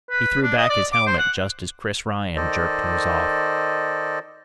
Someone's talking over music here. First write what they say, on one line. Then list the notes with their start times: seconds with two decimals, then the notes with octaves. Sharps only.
He threw back his helmet just as Chris Ryan jerked hers off.
0.10 B4
0.43 D4
0.57 D#5
0.70 D5
0.93 D6
1.07 C5
1.18 F#5
2.36 D#3 A4 C5 D5 D#5